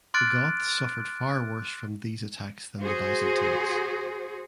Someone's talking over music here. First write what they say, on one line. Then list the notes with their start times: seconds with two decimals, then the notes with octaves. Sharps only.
The Goths suffered far worse from these attacks than the Byzantines.
0.14 C6 D6 F6 F#6 A6 D7
2.80 F#4 G#4 C5